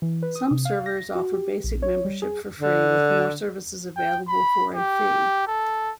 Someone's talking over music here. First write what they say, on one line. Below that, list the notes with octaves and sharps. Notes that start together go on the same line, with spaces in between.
Some servers offer basic membership for free, with more services available for a fee.
E3
B4
D#6
C3
F5
A#6
F#4
G4
A#1
C#5
G3
G#4
D3
G5
B5
G4
A4